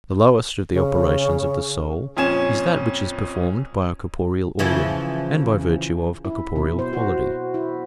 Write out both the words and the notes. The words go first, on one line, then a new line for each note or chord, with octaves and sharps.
The lowest of the operations of the soul is that which is performed by a corporeal organ, and by virtue of a corporeal quality.
C#3
F2 A#2 C#4 G#5 G#6 E7
C#3 E3 F3
E4
B2
C5
F#4
E4